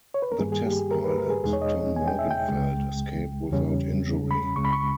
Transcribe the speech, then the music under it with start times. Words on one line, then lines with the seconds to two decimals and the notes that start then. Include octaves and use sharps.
The test pilot, Tom Morgenfeld, escaped without injury.
0.14 C#5
0.22 B4
0.32 A#4
0.39 G2 D#3 G3 A#3 G#4
0.52 G#4
0.65 G4
0.79 G#4
0.91 A#4
1.04 B4
1.18 A#4
1.30 G#4
1.43 E2 B2 G#3 D#4 G#4
1.53 C#5
1.62 D#5
1.96 G#5
2.08 G5
2.19 E5
2.31 G5
2.49 C#2 C#3 G#3
3.52 E2 C#3 G3 C#4
4.31 B5
4.56 C#2 C#3 G#3 C#6
4.65 B5
4.73 C#6